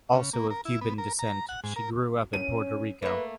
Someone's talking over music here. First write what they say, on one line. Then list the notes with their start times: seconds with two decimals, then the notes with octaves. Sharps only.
Also of Cuban descent, she grew up in Puerto Rico.
0.13 C#3
0.33 A#3
0.50 A#4
0.65 E4
0.81 B3
0.98 A#4
1.19 A#5
1.49 F#5
1.64 G#2
1.76 A#4
2.33 C#4 D#7
3.02 A3 A#3 B4